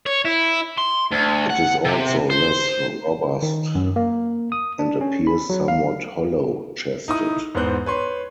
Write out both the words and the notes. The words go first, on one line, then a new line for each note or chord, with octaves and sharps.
It is also less robust, and appears somewhat hollow-chested.
C#5
E4
C6
D2
F#5
C3
C5
D#3
F#2
A#3
D#6
D4
C#4
B5
F#3
F5
D#4 E4 D#6
E2 G#2 B3 C5 F#6 G6
B4 C#5 C6